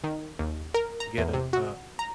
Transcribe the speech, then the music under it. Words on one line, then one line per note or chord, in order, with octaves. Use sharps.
get a a a
D#3
D#2
A#4
A#5
E2
C3
F#4
A#5